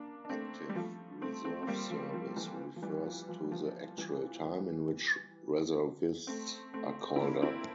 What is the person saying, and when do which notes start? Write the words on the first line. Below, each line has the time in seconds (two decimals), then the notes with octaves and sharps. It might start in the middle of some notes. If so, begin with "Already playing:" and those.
Active reserve service refers to the actual time in which reservists are called up.
Already playing: A#3 D4
0.25 D4
0.30 A3 C4
0.69 G3
0.76 F3 A3
1.21 A3 C4
1.45 A3 C4
1.63 C4
1.67 G3 A#3
1.90 F3 A3
2.14 F3
2.36 E3 G3
2.76 F3
2.82 E3 G3
3.06 F3
3.29 F3
3.44 G3
3.52 F3
3.98 E3 G3
6.27 A3 C4
6.74 A3 C4
7.16 E4
7.20 A#3 D4
7.42 C4 E4